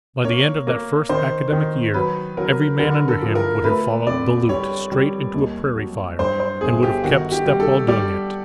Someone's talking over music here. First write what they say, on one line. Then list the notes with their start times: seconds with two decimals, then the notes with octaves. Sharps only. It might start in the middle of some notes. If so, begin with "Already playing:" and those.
"By the end of that first academic year every man under him would have followed 'the Lieut.' straight into a prairie fire, and would have kept step while doing it."
0.24 A#3 C#5
0.67 A#3
1.09 D#3 C5
1.52 D#3
1.94 F#3 B4
2.37 F#3 A#4
2.79 D3 A#4
3.08 A4
3.22 F3
3.35 A#4
3.64 A3 B4
4.07 F2 D5
4.49 G3 C#5
4.92 G3
5.34 D#2
5.76 F#3
6.19 G2 C5
6.40 C5
6.61 G1 G#4
6.83 G4
7.04 D#3 F#4
7.32 G4
7.46 G3
7.60 A4
7.88 G3 D5